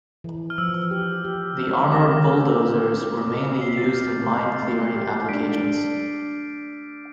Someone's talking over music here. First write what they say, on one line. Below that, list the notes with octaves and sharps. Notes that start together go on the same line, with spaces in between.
The armored bulldozers were mainly used in mine clearing applications.
E3
F6
F3 E6
G4
G4
C4
G4 D6
G4
C4
C4
C3
C3 C7
B6
A6
G6
C3 F6
C3
A3
G4
D4 B6 D7
D4